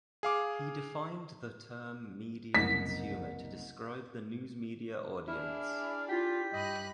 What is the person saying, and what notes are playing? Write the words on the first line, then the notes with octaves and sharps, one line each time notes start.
He defined the term media consumer to describe the news media audience.
G#4 F5 D6
F#1 C2 B6
D4 E4 G#4 F6
E4 F4 G4 B6
G2 D#5 B5 F#6